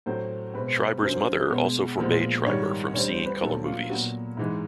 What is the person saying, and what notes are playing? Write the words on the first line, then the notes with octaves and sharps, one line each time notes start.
Schreiber's mother also forbade Schreiber from seeing color movies.
A2 F#3 A3 C4 C5
B2 G#3 C4 B4
F#2 D3 F#3 C5
B2 G#3 B3
A#2 F3 G#3 B3
G#2 D#3 G3 C#5
D2 D3 G3 C4 C#5
C5
B4
A#2 F#3 B3 A4
F4
A#2 F#3 B3 F#4
G#2 E3 G#3